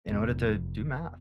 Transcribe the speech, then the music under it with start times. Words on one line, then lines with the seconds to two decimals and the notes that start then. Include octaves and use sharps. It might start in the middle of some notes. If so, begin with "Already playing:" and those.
in order to do math.
0.08 F1 B3